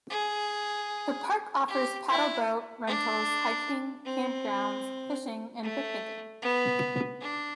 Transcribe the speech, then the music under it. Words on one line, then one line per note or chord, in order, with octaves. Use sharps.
The park offers paddleboat rentals, hiking, camp-grounds, fishing and picnicking.
G#4
G4
E4
D4
C4
A3
B3
D4